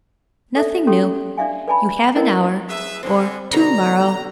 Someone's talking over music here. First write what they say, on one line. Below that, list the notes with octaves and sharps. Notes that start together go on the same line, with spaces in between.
"Nothing new; You have an hour; or To-morrow."
A4 D5 E5
C#4 G4 A4 C6
D4 D5 E5 F5 G#5
B4 D5 G#5 A5 B5
C#4 E4 A#4 B4 D5 D#5
G#4 B4 E5
D3 G#3 C4
B2 D3 A#5